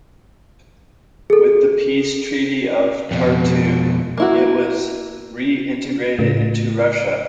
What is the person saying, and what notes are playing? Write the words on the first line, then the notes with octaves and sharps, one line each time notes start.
With the Peace Treaty of Tartu it was re-integrated into Russia.
G#4 A4
F2 B2
A#3 E4 F#4
A2 C#3 A3 F4